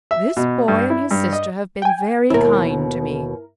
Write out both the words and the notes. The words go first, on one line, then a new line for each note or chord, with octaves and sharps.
This boy and his sister have been very kind to me.
E5
B2
G2
E4
G2
D#5
G5 G#5
D#2 B2 E4 A#4